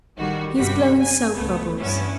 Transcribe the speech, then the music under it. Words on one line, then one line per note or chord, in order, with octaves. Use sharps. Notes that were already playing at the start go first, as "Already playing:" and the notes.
He is blowing soap-bubbles.
A1 D#3 G3 F#4
G1 G2 C3 G3 F#4 B6
G#5
C#2 A3 B3
G2 B3 C#4 E4